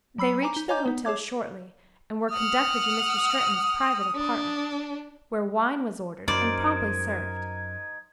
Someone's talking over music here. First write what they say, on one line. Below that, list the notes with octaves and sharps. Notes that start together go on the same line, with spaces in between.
They reached the hotel shortly and were conducted to Mr. Stretton's private apartment, where wine was ordered, and promptly served.
F#3 B5 E6 C7
G#5 A#5 D6
D#4 G7
C#5 D#5 G#5 A#5 D6 G6
B3 D#4
G#4 C#5 D6 G#6
F#5 D#6 F6
D4
F#2 F#3 D#4 A#4 C5 D5 G#6